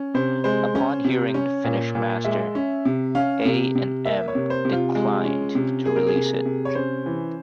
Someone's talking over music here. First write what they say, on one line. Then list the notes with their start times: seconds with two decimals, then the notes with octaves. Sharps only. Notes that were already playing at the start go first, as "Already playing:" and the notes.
Upon hearing the finished master, A and M declined to release it.
Already playing: C#4
0.14 C3 C5
0.44 G#3 C5
0.75 C#4
1.05 C3
1.34 C#4 C#5
1.64 A#2
1.95 A#2
2.24 G#3 E5
2.55 C#4
2.85 C3
3.15 C#4 F5
3.45 C3
3.75 C3
4.05 A#3 E5
4.28 C#5
4.35 C3
4.50 C5
4.65 C3
4.73 F4
4.95 G#3
5.25 C#4
5.55 C3
5.85 A#3 G#4
5.96 A#4
6.07 G#4
6.16 C3
6.45 C3
6.65 C#5
6.75 C#4 C5
7.06 E3